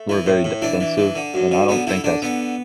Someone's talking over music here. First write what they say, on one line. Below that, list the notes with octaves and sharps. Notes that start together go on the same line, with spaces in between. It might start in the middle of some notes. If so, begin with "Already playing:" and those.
we're very defensive, and I don't think that's
Already playing: A3
E3
A2
A2
E3 D4
E3
E3
D3
F#2
D3
D3 B3
D3 E4
D3 D4
D3 B3